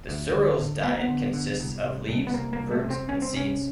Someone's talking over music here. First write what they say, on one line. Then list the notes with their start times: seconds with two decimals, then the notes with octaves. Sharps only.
The surilis' diet consists of leaves, fruits, and seeds.
0.09 D2
0.34 D3
0.59 D3
0.84 D2 B3
0.92 A#3
1.00 B3
1.08 D3
1.33 D3
1.60 C2
1.84 C3
2.09 C2
2.27 B3
2.34 C3 A#3
2.53 A#3
2.59 C2
2.71 A3
2.84 C3
2.90 C4
3.09 C2 C#4
3.22 C4
3.33 C3 C#4